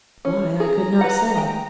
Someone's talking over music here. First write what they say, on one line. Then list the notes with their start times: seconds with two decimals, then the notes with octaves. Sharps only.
Why, I could not say.
0.25 C#4
0.60 G#4 A#5
1.01 B4 F#5
1.35 G#3 G5